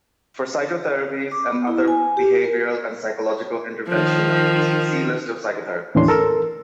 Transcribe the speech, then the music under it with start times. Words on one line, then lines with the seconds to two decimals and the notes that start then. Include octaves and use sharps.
For psychotherapies and other behavioral and psychological intervention methods, see list of psychotherapies.
1.32 D6
1.52 B3
1.67 E4
1.88 G#5
2.17 G4
2.44 A#4
3.89 D#3 F3
5.95 D#2 A2 E3 C#4 D4 C6
6.08 A4 A#4 E6